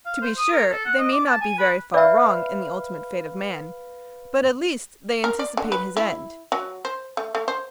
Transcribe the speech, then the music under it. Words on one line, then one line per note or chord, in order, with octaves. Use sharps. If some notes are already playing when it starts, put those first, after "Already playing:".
To be sure, they may not be very far wrong in the ultimate fate of man, but at least they anticipate his end.
F5
C5
D#6
A#4
A4
F#5
D#5
D6
A5
G#5
B4
B4 D5 E5 F5
A#4
D5
D3
B4
E4
F#3
C5
A3
A3
C5